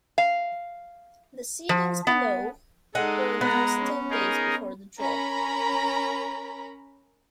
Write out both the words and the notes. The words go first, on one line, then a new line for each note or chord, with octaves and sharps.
The seedings below were announced ten days before the draw.
F5
F3
B3
G#3 D#4 A4 D#5 F#5
B3 F#5 A#5
C#4
D#4 G#4 A#4
C#4 A#4 A#5 B5